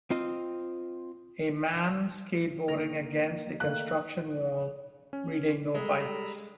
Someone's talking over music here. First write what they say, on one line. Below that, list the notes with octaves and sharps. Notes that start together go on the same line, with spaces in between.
A man skateboarding against a construction wall reading No Bikes.
C4 F4 D#5
D3 A#3 A#6 F7
D#3 A3 A#3 F5 F#6
C#4
G3 G#3 A4 A#5 B5 E6